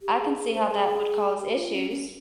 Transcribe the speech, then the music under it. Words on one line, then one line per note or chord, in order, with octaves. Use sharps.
I can see how that would cause issues.
G4
G#4
G#4
C5
G#4
G4
F4
C#4
C#4